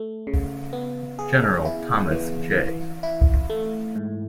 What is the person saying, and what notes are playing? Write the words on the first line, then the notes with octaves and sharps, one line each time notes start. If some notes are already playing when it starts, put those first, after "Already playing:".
General Thomas J.
Already playing: A3
C#3
B3
G#4
E4
E3
E3
E4
A3
G#2